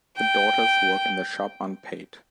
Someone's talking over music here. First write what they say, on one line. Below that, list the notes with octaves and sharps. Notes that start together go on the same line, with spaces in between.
The daughters work in the shop unpaid.
G5